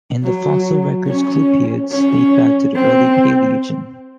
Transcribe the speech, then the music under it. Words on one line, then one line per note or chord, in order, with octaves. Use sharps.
In the fossil record clupeids date back to the early Paleogene.
F#3
C#4
C#4
C4